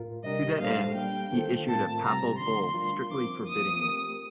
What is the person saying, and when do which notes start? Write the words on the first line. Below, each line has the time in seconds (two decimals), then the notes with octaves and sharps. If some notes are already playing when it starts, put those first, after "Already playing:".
To that end, he issued a papal bull strictly forbidding it.
Already playing: A2 F4 A#4
0.24 C3 G3 D4 G4 A#4 D#5
0.60 A#2 G3 D4 A4 C5 F5
0.95 G3 A#3 D4 G5
1.31 D#3 A#3 F4 A4 C5
1.67 A2 A3 C4 F4 A#4 A5
2.02 C3 G3 C4 G4 A#5
2.39 D3 F3 A3 D4 C6
2.74 G3 D4 F4 A#4
3.10 F3 C4 F4 A#4 D6
3.46 F3 A#3 F4 D#6
3.81 A3 C4 G4 A#4